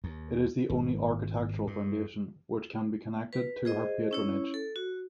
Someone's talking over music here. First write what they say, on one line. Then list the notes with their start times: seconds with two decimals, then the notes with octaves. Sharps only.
It is the only architectural foundation which can be connected to her patronage.
0.04 D#2
0.70 G#1
1.67 G2
3.33 B4
3.65 G#4 C5 D#5
4.11 C#4 E4 C#5
4.54 A4
4.76 F#4